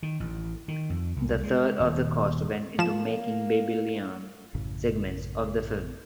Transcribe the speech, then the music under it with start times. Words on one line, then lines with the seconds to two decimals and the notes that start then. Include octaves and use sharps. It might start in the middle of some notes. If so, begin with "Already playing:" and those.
A third of the cost went into making the Babylonian segments of the film.
0.03 D#3
0.20 A1
0.68 D#3
0.90 F2
1.16 C2
1.43 G#3
1.80 D#1
2.79 F3 A#3 E7
4.55 A1 F#2 A2 C#3